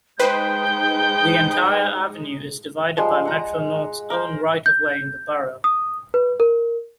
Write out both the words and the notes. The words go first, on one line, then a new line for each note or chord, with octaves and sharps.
The entire avenue is divided by Metro-North's own right of way in the borough.
G#3 D#4 B4 C5 G5 G6
F3 G3 G#3 C6
F#5 A#5
A#4 C5
G6
D#6
B4
A#4